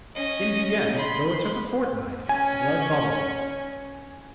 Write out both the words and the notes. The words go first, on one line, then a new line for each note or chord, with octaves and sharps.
In the end, though it took a fortnight, Blood bubbled him.
C#4 D#5
B5 C6
C#4 G#5